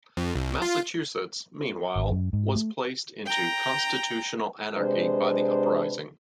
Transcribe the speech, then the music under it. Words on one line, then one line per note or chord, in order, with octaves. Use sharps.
Massachusetts, meanwhile, was placed into constitutional anarchy by the uprising.
F2
C2
F4
G#1
F#2
G#2
A3
G5 A#5
C3 G#3 D4 B4 C5